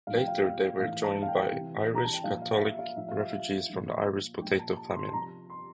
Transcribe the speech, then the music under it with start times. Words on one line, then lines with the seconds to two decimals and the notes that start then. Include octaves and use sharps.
Later they were joined by Irish Catholic refugees from the Irish Potato Famine.
0.07 A2 F3 F5
0.17 G5
0.28 F5
0.44 F5
0.79 A2 F5
0.84 E3
1.04 A5
1.23 F5
1.28 G5
1.51 C3 E3
1.95 A#5
2.05 A5
2.14 G5
2.24 A#2 F3 F5
2.42 F5
2.60 E5
2.79 F5
2.96 A2 F3 E5
3.08 F5
3.20 E5
3.32 F5
3.69 A#2 F3
4.41 F3 G5
4.44 A#2
4.59 A5
4.77 A5
4.96 C6
5.08 A5
5.13 C3 F3 A#5
5.50 C6